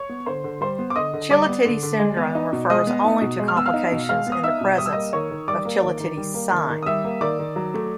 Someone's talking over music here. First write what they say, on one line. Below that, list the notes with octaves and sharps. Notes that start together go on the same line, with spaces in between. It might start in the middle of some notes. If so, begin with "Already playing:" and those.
Chilaiditi syndrome refers only to complications in the presence of Chilaiditi's sign.
Already playing: C#5 C#6
B3
D3 C5 C6
D3
G3 C5 C6
B3
D6
D3 D#5 D#6
D3
G3 D5 D6
B3
D3
D3
G#3
B3
D#4
B2
G#3 D#5 D#6
B3
D#4
B2
G#3
F6
B3 E6
F5 F6
D#4
B2
G#3 F5 F6
B3
D#6
D#4 E5 E6
B2
G3 D#6
E6
A#3 D#5 D#6
D#3 C#5 C#6
D#3
G3 D5 D6
A#3
D#3
D#3
G3
A#3
D#3
D#3
D#6
G3 E5 E6
A#3
D#3 D5 D6
D#3
F#3
A3